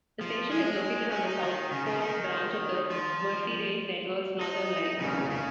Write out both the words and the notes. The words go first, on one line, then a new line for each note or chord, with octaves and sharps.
The station is located on the Southport branch of the Merseyrail network's Northern Line.
F3
G#3
C#4
D#4
D#3
C#3
C#3
D#3
F3
D#4
C#3
C#3